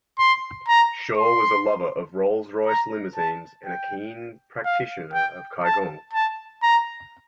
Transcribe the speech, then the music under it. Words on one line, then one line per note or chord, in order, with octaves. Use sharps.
Shaw was a lover of Rolls-Royce limousines and a keen practitioner of qigong.
C6
A#5
C6
A#5
A5
G5
F5
G5
A5
A5
A#5